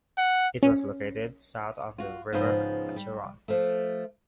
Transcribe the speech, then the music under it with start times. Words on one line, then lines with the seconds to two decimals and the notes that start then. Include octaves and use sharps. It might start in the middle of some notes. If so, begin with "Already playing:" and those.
It was located south of the river Acheron.
0.18 F#5
0.63 C#4
1.98 F4 F#4
2.33 G#2 C#3 F3 B3 C5
2.96 G3
3.48 F3 A3